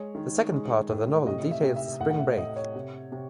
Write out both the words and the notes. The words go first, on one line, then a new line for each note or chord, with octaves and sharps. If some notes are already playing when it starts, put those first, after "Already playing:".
The second part of the novel details the spring break.
Already playing: G#3 C#5
D#3
G#3
A2
C3 D#5
E5
C3
E5
A2 F#5
F#5
E5
A2 D#5
C#5
C3
C3